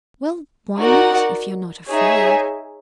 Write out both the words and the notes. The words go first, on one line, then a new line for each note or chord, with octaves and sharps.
"Well, why not, if you're not afraid?"
D#4 F#4 A#4 D5 F#5
D#4 G#4 C#5 E5 G#5